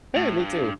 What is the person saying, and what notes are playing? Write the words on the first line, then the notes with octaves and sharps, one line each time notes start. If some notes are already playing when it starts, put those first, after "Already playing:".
Hey, me too.
A2
G2